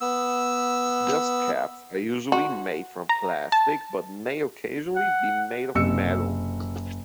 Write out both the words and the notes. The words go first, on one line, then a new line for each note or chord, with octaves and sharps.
Dustcaps are usually made from plastic but may occasionally be made of metal.
B3 E6
F#4
A#5
A5
F#5
F#1 C3 E6 C#7